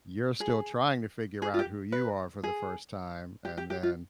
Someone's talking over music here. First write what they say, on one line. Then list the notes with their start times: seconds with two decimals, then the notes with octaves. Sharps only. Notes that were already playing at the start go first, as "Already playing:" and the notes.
you're still trying to figure out who you are for the first time, and then
0.40 G#4
1.42 G#4
1.54 F4
1.59 G4
1.92 B4
2.44 G#4
3.45 G4
3.57 G4
3.70 G4
3.83 F4